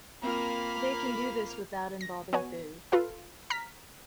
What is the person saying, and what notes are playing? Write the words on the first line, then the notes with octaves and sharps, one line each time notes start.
They can do this without involving food.
A#3 C4 F4 B5 F6
A#6
B3 F#4 C#5 G#5
F4 A4 B4 F5
A#5 F6 B6